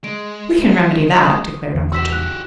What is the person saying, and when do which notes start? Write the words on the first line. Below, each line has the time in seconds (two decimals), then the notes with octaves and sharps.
"We can remedy that," declared Uncle John.
0.04 G#3 D7
1.25 A5 D#6 F#7
1.74 E2
1.93 F#4 G4 E6 B6 E7
2.10 F#6 F7